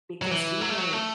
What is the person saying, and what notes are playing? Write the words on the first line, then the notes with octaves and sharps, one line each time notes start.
"because we were
F#3
E3
F#3
A3
F#3
A3